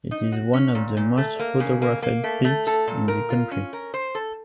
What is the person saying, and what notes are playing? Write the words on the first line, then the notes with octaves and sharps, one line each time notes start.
It is one of the most photographed peaks in the country.
D#4
F#4
C#4
A#2
A#2
A3
A#3
C#3
A#3
A#3
A3
A3
A4
A#2
A#4
F4
C#4
A#4
C5
A4